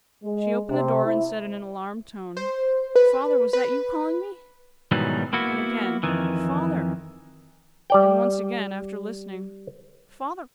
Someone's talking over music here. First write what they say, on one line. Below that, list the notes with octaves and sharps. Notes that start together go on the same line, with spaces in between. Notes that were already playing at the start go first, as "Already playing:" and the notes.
She opened the door, and said in an alarmed tone, 'Father, was that you calling me?' And again, 'Father!' And once again, after listening, 'Father!
G#3
C3
E4
C5
B4
B4
G#2 B2 D#3 E3 F#3 G3
A#3 B3 E4 F#4
F2 D#3 E3
G3 D5 G5